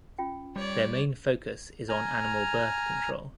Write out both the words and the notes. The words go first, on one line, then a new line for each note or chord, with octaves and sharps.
Their main focus is on animal birth control.
C#4 F4 G5
G3 C#5 D5
G#5 A#5 F6